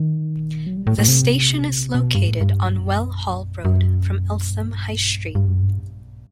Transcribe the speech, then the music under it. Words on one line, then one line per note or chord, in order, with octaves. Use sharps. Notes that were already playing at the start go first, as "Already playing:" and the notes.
The station is located on Well Hall Road, from Eltham High Street.
Already playing: D#3
F#3
G3
A2
A2
C3
B2
G2
A2
G2
F#2
F#2
G2
G2
F#2
G2